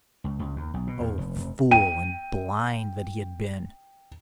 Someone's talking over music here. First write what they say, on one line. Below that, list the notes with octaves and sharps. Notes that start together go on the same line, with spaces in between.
Oh, fool and blind that he had been!
C#2
C#2
D#2
B1
B2
E2
F1
F1
G5 D#7